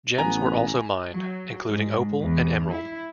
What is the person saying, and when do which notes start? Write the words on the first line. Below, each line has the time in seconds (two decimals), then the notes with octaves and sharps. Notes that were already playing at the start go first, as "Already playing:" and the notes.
Gems were also mined, including opal and emerald.
0.18 A1 B3 G#5 A#5
1.13 F#3
1.70 G#2
2.21 E2
2.72 E4